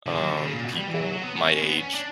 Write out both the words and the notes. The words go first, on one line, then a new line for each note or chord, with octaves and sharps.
um, people my age,
D3
F#3
D3
C#3
A#2
B2
G3
E3
F#3
F#3
B3
B3
C#4
C#4
B3
C#4
D4